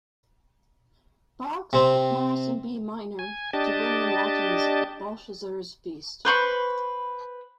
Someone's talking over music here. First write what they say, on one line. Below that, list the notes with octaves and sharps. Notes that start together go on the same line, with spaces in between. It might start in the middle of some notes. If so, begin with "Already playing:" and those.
Bach's Mass in B Minor to William Walton's Belshazzar's Feast.
C3 C4
G#5
D4 G4 D#5 A5
B4 C5 B5 C#6